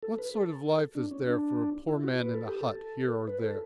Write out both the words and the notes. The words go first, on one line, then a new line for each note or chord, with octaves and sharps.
What sort of life is there for a poor man in a hut here or there?
A4
B4
A4
D4
C#4
D4
E4
F#4
B4
A4
G4
A4
B4
A4